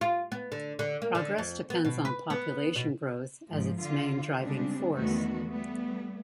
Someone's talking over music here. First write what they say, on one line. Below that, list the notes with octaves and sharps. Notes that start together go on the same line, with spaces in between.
Progress depends on population growth as its main driving force.
F4
B3
D3
D3
A#3
D3
F2
B3
B2
B4
B3
B2
G#2 F3
D3 F4
C#3 G3 G#3 C4 D4
E2 D3 D#3 A3 B3 F#4
G3 A3 B3